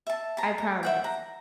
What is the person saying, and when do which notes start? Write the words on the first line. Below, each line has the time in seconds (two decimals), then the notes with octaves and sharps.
I promise.
0.07 E5 A5
0.37 A5 A#5
0.58 A#5
0.83 E5 F#5 G5
1.04 A#5